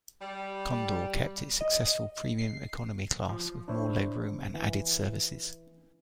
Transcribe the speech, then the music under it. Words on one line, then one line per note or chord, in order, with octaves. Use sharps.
Condor kept its successful Premium Economy Class with more legroom and added services.
G3
D#5
C7
F3
D4 E4 C5 C#5 E5
E3